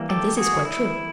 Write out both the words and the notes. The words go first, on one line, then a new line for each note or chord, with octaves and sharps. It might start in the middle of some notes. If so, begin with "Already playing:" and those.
And this is quite true.
Already playing: E3 G3 A#3
G4 A4
F#4 G#4
E4